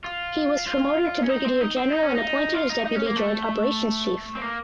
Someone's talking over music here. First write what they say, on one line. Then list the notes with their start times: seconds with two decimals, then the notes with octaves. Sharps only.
He was Promoted to Brigadier General and appointed as Deputy Joint Operations Chief.
0.04 F4
0.67 F4
1.23 C#4
1.29 D#4
1.45 C4
1.61 D#4
1.76 C4
1.92 D#4
2.03 C#4
2.15 D#4
2.54 F4
2.70 D#4
2.86 D#4
2.96 C#4
3.06 A#3
3.17 A3
4.35 C4
4.42 A#3